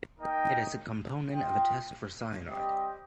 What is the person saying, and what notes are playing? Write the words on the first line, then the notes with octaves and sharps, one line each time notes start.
It is a component of a test for cyanide.
A#3 D#4 A#4 D#5 G5
F4 D#5 G5
G3 C4 G4 D#5